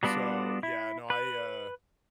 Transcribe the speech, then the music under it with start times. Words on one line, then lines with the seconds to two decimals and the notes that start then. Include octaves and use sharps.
So yeah. No, I, uh,
0.03 F#3 G3 B3 D4 F4 F#4
0.63 E4
1.10 B4